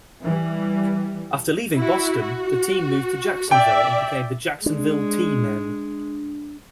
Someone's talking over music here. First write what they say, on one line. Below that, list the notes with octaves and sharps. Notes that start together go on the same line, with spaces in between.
After leaving Boston, the team moved to Jacksonville and became the Jacksonville Tea Men.
E3 G3
E4 F#4
F#4
D5 E5 G5
G#3 D4